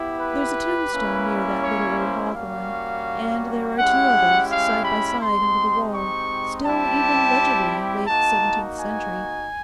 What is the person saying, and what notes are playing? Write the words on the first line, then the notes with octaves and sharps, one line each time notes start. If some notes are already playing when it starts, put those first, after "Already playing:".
There's a tombstone near that little old hawthorn, and there are two others side by side under the wall, still even legibly late seventeenth century.
Already playing: B3 E4 G4
B4
A#3 C#4 E4
C#5
C5
G3 A#3 C#4 F#4 F5
G#3 C#4 E4 G4 F#5
F5
B5
G#3 C4 D#4 G4 C6
C#6
G3 C4 E4 G4 A5
A#3 D#4 F#4 A5
G#5